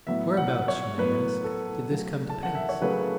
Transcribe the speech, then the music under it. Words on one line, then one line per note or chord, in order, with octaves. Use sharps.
Whereabouts, you may ask, did this come to pass?
A2 F#3 B3 E5
F#5
C#5
A2 F#3 B3 B4
A4
C#3 F#3 A3
A5
F#5
E5
C#5
C#3 F#3 A3 B4